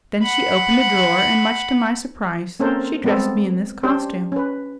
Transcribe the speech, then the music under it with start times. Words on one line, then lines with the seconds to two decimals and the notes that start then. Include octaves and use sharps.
Then she opened a drawer, and much to my surprise she dressed me in this costume.
0.22 F#5 B5
2.60 A#3 C4 C#4 A4 A#4 C5
3.04 G3 G#3 B3 C4 A4
3.83 C#4 D4 G4 C5
4.32 C#4 B4